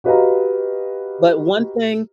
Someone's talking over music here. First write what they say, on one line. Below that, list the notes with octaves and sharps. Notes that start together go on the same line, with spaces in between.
But one thing
F#4 G4 B4 D#5 F5 A#5